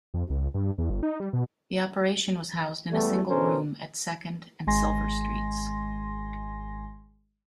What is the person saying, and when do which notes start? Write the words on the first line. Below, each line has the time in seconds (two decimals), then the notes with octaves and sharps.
The operation was housed in a single room at Second and Silver streets.
0.14 F2
0.30 C#2
0.54 G2
0.78 E2
0.90 G1
1.03 D#4
1.20 G3
1.33 B2
2.91 E2 G3 A3
3.28 B2 D3 C#4 A4 A#4 C5
4.67 G#1 G#3 G#5 C6 A#6